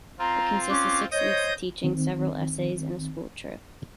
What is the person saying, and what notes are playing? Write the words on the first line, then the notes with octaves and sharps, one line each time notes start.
It consists of six weeks of teaching, several essays, and a school trip.
C4 F4 A#5
C#4 D6 F#6
C5 C#5 D#5 D#6 G6 A#6
D#3 C4